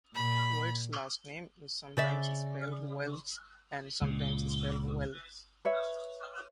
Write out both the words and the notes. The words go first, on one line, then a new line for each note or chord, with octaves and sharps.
Wade's last name is sometimes spelled Welles and sometimes spelled Wells.
A#2 B5
C#3 D5 E5
C#2 A#2
B4 C#5 E5